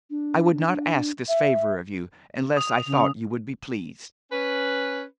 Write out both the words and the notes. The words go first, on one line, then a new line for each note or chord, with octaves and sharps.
I would not ask this favour of you unless I thought you would be pleased.'
D4
D4
D4
E5
D#6 F7
C#3
C#4 B4